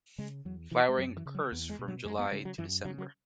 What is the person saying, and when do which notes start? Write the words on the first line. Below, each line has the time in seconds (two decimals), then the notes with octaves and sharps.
Flowering occurs from July to December.
0.18 C#3 G#3
0.45 E2 F#3
0.71 B2 E3
0.88 G#3
0.98 F#2 F#3
1.17 E3
1.26 C#3
1.35 F#3
1.52 E2 B3
1.70 G#3
1.79 B2
1.88 F#3
2.05 F#2 G#3
2.19 B3
2.32 C#3 G#3
2.45 F#3
2.58 F#2 E3
2.85 C#3 F#3
2.98 F#3